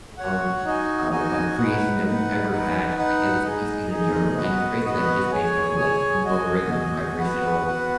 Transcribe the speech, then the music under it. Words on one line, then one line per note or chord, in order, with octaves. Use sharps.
form of of creation that we've ever had, just like as a species in general, and it's crazy that it's just based off of like tempo, rhythm, vibrational,
F#4 C#5 F#5
D#4 F#4 D#5 G#5
D#4 F#4 D#5 G#5
D#4 B4 F#5
D#4 B4 F#5
D#4 B4 F#5
D#4 B4 F#5
D#4 G#4 D#5
D#4 G#4 D#5
B3 F#4 B4 D#5 F#5
B3 F#4 B4 D#5 F#5
G#4 C#5 G#5
G#4 C#5 G#5
F#4 D#5 G#5
F#4 D#5 G#5
B3 F#4 B4 F#5
B3 F#4 B4 F#5